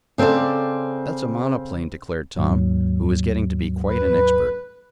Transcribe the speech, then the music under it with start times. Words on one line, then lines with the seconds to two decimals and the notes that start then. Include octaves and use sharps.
"That's a monoplane," declared Tom, who was getting to be quite an expert.
0.18 C#3 C4 A4 C5 D5
2.37 D#2 G#2 F#3
3.88 B4